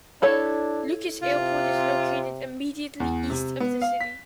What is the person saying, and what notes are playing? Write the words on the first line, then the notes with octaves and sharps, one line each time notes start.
Lucas Airport is located immediately east of the city.
D4 E4 A4 C#5
C3 F4
E2
C3
B3
F5
B6